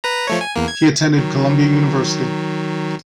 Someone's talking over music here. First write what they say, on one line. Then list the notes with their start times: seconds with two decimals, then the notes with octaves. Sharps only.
He attended Columbia University.
0.04 B4 A#5
0.27 F3 A3 C#5
0.41 G#5
0.56 E2 A#3
0.68 G#6
1.17 D#3 F#3